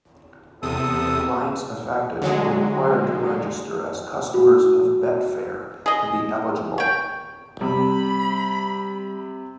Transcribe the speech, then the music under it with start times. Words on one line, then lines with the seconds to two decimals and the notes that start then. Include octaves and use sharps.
The clients affected were required to register as customers of Betfair to be eligible.
0.63 E2 C3 A4 D#6
2.22 D3 F#3 G#3
4.34 F#4
5.86 G#4 D#5
6.78 C#5 G5
7.61 C3 G3 B5